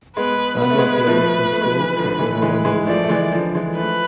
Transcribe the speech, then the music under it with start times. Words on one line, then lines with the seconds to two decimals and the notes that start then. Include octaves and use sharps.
Neither of the other two schools have ever won the award.
0.17 G#3 B3 B4
0.61 B3 B4
0.70 A3
0.78 G#3 B3
0.96 G#3
1.07 F3 A3
1.52 A3
1.61 G#3
1.71 F3
1.79 E3 G#3
1.96 D3 F3
2.19 E3 G#3
2.31 A3
2.42 E3 G#3
2.65 E3 G#3
2.86 F3 A3 D5
3.04 A3
3.09 E3 G#3
3.32 D3 F3
3.55 E3 G#3
3.77 F3 A3 B4